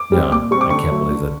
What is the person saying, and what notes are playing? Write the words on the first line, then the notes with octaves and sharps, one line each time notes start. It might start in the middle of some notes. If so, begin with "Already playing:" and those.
yeah. I can't believe that
Already playing: D6
G3 C4
A#2 D6
G3 C4 C#6
D6
D3 C#6
F#3 A3
D3